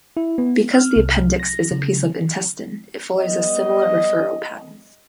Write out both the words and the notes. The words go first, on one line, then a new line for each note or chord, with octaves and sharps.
Because the appendix is a piece of intestine, it follows a similar referral pattern.
E4
B3
F6
C2
A#6
C#3
G3 B3 D#5